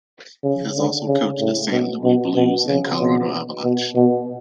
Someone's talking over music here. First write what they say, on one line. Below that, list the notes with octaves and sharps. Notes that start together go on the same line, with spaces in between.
He has also coached the Saint Louis Blues and Colorado Avalanche.
C#3
D3
C#3
A2
B2
B2
B2
C#3
B2
B2
B2